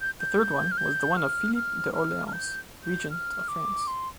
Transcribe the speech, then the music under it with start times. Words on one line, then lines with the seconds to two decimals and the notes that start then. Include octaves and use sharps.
The third one was the one of Philippe d‘Orléans, regent of France.
0.01 G6
0.20 G6
0.72 F6
0.77 G6
1.17 F6
1.55 F6
1.94 F6
2.28 F6
2.33 G6
2.84 G6
3.10 F6
3.48 D6
3.87 C6